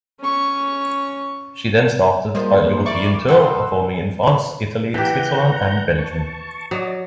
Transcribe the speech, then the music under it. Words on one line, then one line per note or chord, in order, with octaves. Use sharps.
She then started a European tour performing in France, Italy, Switzerland and Belgium.
C#4 C#6
F3 G3 G#3 A#3 C5
E4 A4 A#4 D5 C#6 D6
G3 A4 A#4 C5 D#5 F#5 E6
E3 G4 F#5 A#5 G6
A5 C#6
F#3 D5 D#5